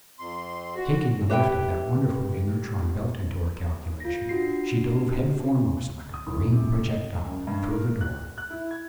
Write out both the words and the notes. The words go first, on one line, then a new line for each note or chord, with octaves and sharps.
Taking the lift of that wonderful inertron belt into her calculation, she dove headforemost, like a green projectile, through the door.
F2 C6
F#4
G4 B4 E5 F5 G5
F4 A#6
D4 F#4 C7
D#6
D1
C3
D#5
F#2
G2
A#4
F#6
F#6
E4
G#6